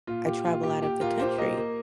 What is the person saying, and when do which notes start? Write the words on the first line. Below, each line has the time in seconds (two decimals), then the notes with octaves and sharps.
I travel out of the country,
0.07 A#2 F4
0.26 A#2 G4
0.45 A#2 F4
0.63 A#2 G4
0.82 A#2 G4
1.01 A#2 F4 A#4
1.19 A#3 G4 C5
1.38 A#3 A#4 D#5
1.57 A#3